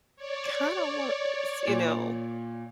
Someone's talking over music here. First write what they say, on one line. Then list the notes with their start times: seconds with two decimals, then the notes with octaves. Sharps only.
kinda wanna s you know,
0.16 C#5 D5
1.67 A#2